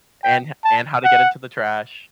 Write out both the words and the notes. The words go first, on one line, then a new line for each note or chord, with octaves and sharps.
and ho and how to get into the trash
G5
A5
F#5